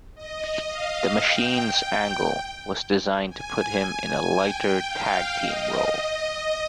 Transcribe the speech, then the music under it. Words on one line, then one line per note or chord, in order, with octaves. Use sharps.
"The Machines" angle was designed to put him in a lighter tag-team role.
D#5
F5
G5
G#5
G5
F5
D#5